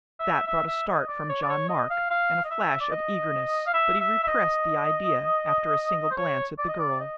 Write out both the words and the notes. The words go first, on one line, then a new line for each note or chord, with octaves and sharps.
That brought a start from John Mark and a flash of eagerness, but he repressed the idea, after a single glance at the girl.
E5
E5
E5
D#5
D5
C#5
D5
C#5
D#5
F5
F5
D#5
E5
D5
D#5
F5
E5
E5
E5
D#5
C5
C#5
D5
D#5
D5
D#5